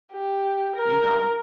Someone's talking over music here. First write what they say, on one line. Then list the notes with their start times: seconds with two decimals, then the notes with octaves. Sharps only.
you know,
0.12 G4
0.76 A#4